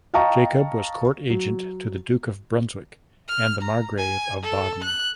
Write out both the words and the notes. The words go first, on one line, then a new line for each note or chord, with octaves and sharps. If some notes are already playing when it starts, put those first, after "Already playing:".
Jacob was court agent to the Duke of Brunswick and the Margrave of Baden.
D#5 F5 G5 A5 A#5 C#6
F#3
F6
A#5
G#5
A4
F#6